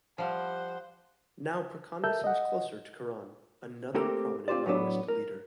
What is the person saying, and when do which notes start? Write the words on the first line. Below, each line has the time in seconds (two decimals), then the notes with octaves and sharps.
Now Prachanda seems closer to Kiran, another prominent Maoist leader.
0.18 F3 G3 C5 F#5
2.04 A4 A#4 E5 A5 E6 G6
2.24 D#5 F#5
3.94 A3 A#3 C4 G4 A4 A#4
4.48 C4 F4 G4 C5 D5
4.66 A2 F#3 B3 D4
5.08 A#4